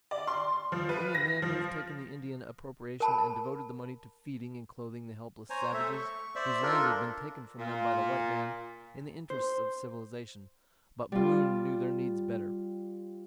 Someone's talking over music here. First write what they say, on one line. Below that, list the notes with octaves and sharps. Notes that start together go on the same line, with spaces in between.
Many a man would have taken the Indian appropriation and devoted the money to feeding and clothing the helpless savages, whose land had been taken from them by the white man in the interests of civilization; but Balloon knew their needs better.
D5
C6
F3
B4
A#6
F3
A#4 A5 B5
C5 C#5 G#5 A#5
A3 A4 E5
C#6
C5 D5 E5
D4 F4 A4 A#4
A#2
C5
G3 F4